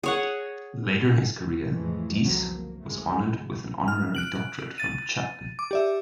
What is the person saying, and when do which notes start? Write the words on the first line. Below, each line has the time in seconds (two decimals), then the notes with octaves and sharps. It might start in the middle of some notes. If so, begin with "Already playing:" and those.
Later in his career, Deese was honored with an honorary Doctorate from Chapman.
0.03 G#4 C#5 F#5
1.72 F2 A2 E3 F3 G#3 A3
2.19 F#1 C2 D3 F3 F#3
2.49 A#3
2.80 G#3 A3
3.26 G#2
3.88 F6
4.15 F#6 D7 F#7
4.78 A6 D#7
5.59 D6
5.71 G4 D5 E5